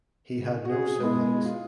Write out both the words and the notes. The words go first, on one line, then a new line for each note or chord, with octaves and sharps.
He had no siblings.
C#3
F#4 G#4
B2 G#3 B3 E4
F4